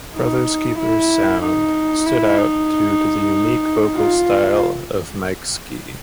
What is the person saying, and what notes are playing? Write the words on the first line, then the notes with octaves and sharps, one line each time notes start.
Brother's Keeper's sound stood out due to the unique vocal style of Mike Ski.
D#4
E4
D#4
E4
D#4
F4